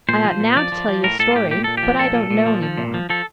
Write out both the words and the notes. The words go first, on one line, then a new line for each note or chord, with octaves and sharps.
"I ought now to tell you a story; but I don't know any more."
A#2 C5
F3
A#2
F3 D5
F3
F3
A2 A#4
A2 A4
F4
A2 G4
A#2 G4
A#2 A4
G4
F3
A#2 A4
A#2
A#2
F3
F3
A#2
F3
F3 A4